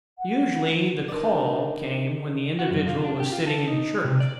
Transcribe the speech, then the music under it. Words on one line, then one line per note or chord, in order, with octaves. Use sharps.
Usually the "call" came when the individual was sitting in church.
F#5
D4 D#4 A#4 B4 C#5 D5
F#4
F#2
F4
D4
G4
F4
A4
D#4
C3
D5